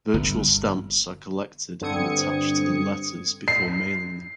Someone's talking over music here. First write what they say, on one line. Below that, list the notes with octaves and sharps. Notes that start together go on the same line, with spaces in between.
Virtual stamps are collected and attached to the "letters" before mailing them.
G1
G2 D3 C4 D#6 G#6 C#7
C7